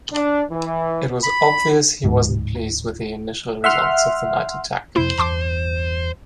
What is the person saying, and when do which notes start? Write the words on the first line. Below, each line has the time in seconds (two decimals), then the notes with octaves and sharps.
It was obvious he wasn't pleased with the initial results of the night attack.
0.12 D4
0.51 E3
1.23 B5
2.04 D1 G#2
3.64 E5 F#5 C6 F6
4.96 F2 C3 A#3 E4 C5
5.18 E2 G2 A5 C6 D6